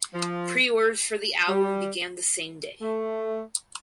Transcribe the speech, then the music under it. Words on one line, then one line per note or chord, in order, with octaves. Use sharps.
Preorders for the album began the same day.
F3
G3
A3